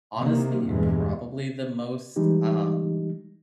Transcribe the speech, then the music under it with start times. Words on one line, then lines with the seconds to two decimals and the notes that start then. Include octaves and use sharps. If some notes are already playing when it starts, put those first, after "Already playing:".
honestly, probably the most, um,
0.17 C3 D#3 A#3
0.67 E2 G2 A#2 G3 G#3
2.16 E3 G3 G#3 D#4 G4